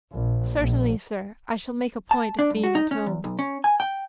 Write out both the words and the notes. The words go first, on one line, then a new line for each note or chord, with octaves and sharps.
"Certainly, sir, I shall make a point of being at home."
A#1
A#1
A5
D4
G2
F#4
D#4
C#4
E2
B1
C#4
G#5
G5